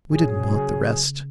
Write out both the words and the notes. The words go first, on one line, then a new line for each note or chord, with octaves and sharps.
We didn't want the rest.'
A#2 F#3 C#4 G#4
A#2
B2
C#3